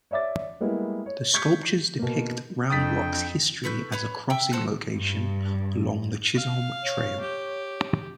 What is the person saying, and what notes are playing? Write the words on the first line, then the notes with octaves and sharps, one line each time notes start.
The sculptures depict Round Rock's history as a crossing location along the Chisholm Trail.
C#5 D5 E5 D6 A6
G3 G#3 A#3 B3 E4
C#5
C#6 G6 G#6 B6 C#7
B2 A#3
F2 D4 G5 D#6 A6 B6
A4 B4 C#6 G6
B4 C#5 B5
E5 G5
F#4 A4 C5
G2
F5
C#5
G4